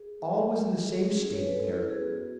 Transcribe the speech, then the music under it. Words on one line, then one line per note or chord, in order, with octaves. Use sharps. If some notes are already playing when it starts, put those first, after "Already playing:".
All was in the same state there.
Already playing: G#4
A3
D4 F#4
G#3 G#4
A4
G#4
C#4 E4 G#4
C#5
G#3 B4
A4
C#4 E4 A4
B4
G#4
B3 F#4